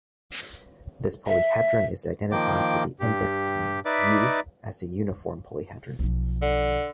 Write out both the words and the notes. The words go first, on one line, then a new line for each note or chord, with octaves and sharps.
This polyhedron is identified with the indexed name U as a uniform polyhedron.
E5
D#3 F3 A#3 G5 D6
G2 G4
D#4 B4 D5 E5 D6
B1 F3
D3